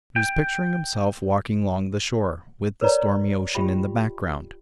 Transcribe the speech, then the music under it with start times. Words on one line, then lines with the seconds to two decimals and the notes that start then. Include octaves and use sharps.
He was picturing himself walking long the shore, with the stormy ocean in the background.
0.16 G5
2.81 A#4 B4 C#5 D5 A#5
3.55 F4 G4 E5 G5 B5